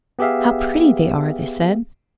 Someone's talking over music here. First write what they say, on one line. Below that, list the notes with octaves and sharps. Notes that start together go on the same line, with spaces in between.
"How pretty they are!" they said.
B3 G4 G#4 E5 F5